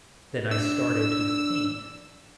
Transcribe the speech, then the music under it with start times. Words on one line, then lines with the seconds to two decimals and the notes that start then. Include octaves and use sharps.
Then I started to think.
0.51 D4 E6